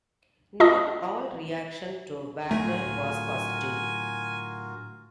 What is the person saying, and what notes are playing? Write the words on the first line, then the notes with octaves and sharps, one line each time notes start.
Not all reaction to Wagner was positive.
F4 D#5 A5 D#6
A2 D3 F#3 A3 F4 F#4 A#4 G#5